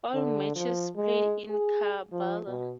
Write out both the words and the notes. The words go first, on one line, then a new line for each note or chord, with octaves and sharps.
All matches played in Karbala.
D3
F3
G#3
G#4
F3
B2